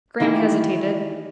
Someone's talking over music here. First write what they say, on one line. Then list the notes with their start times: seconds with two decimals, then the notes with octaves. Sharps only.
Graham hesitated.
0.20 D#3 E3 E4 G4 G#4